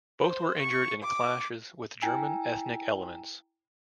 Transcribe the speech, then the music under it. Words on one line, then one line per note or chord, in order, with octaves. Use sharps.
Both were injured in clashes with German ethnic elements.
C5
C#6
D6
E4 G5 G#5 A#5 E6